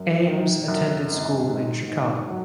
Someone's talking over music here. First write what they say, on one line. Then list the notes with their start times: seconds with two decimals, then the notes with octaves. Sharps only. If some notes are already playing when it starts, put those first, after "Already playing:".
Ames attended schools in Chicago.
Already playing: F#2
0.27 D#3
0.68 F#2
1.08 G#1
1.48 G#2
1.88 G#2
2.29 F#3